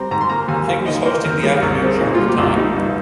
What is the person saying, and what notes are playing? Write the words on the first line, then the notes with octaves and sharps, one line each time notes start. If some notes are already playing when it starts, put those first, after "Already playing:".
King was hosting the afternoon show at the time.
Already playing: G3 C4 A#5 C6
G#2 A#5
C6
A#3 A#5
D#2 G#5
D#2 F5
D#3 D#5
A#3 C5
D#2 A#4
G3 G#4
A#4
C2
A#4
C4 G#4
A#2 D#4
F4
G3
G4
C2
F4
G3 D#4
G2 D#4